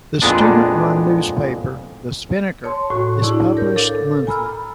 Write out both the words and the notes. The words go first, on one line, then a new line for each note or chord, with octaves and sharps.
The student-run newspaper "The Spinnaker" is published monthly.
F2 A#2 G#3 B3 D4
C#5 A5 C6
A2 F#4
D4 E4 G#4 D5 A5
A#4 C#5 G6
A4 F5 D6
G#5 A#5 B5 E6 F6